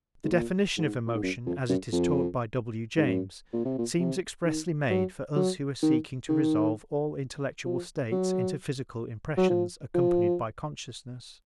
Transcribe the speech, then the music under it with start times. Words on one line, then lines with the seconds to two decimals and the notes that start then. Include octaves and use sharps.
The definition of emotion, as it is taught by W. James, seems expressly made for us who are seeking to resolve all intellectual states into physical impressions accompanied by consciousness.
0.24 G#2
0.31 A#2
0.77 G#2
1.06 A#2
1.15 G#2
1.23 F#2
1.46 F2
1.69 F#2
1.92 F2
2.97 G#2
3.06 F#2
3.53 A#2
3.65 C3
3.78 A#2
3.99 C3
4.45 D#3
4.90 F#3
5.36 F#3
5.83 D#3
6.28 D#3
7.66 F3
8.11 F#3
9.37 F#3
9.49 F3
9.94 F3